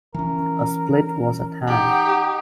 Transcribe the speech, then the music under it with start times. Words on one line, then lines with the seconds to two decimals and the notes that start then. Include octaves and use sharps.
A split was at hand.
0.14 E3 C#4 A#4
1.68 D#4 G4 F#5